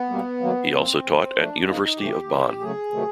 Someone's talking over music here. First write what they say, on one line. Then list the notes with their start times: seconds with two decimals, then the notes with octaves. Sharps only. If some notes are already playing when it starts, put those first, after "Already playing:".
He also taught at University of Bonn.
Already playing: B3
0.10 B2 G3 A#3
0.41 D#3 F#3 A#3
0.72 C3 F3 A#3 C4
1.04 A2 F3 A3
1.35 A#2 F3 A3 D4
1.66 C#3 F3 A#3 D#4
1.82 D#4
1.97 C3 E3 A3 G4
2.29 C3 F3 A#3
2.60 C#3 F#3 A3 G#4
2.92 C3 D#3 F#3 A3